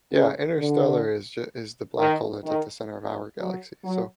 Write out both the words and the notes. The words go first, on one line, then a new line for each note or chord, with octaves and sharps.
Yeah, interstellar is ju is the black hole that's at the center of our galaxy. So
C#3
D3
D#3
D#3
F#3
F#3